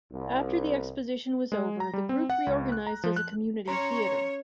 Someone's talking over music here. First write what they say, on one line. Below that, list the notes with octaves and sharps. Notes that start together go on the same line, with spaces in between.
After the exposition was over, the group reorganized as a community theatre.
C2
G#3
A#5
G3
C4
F#5
C#2
F#6
A#5
F3
F#6
C#4 C#5 A#5 C6